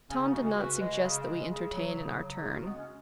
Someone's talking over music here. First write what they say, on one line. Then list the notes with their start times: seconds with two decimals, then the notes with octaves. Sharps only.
Tom did not suggest that we entertain in our turn.
0.10 C#3 C#4
0.21 B3 D#4
0.33 G#3 C#4 F#4
0.44 C#4 F#4
0.56 C#3 F#4 B4
0.79 G#3
1.02 C#3
1.26 G#3
1.49 C#3
1.72 F#3
1.94 C#3
2.18 F#3
2.41 C#3 D#4 G#4
2.52 C#4 F#4
2.64 G#3 B3
2.76 C#4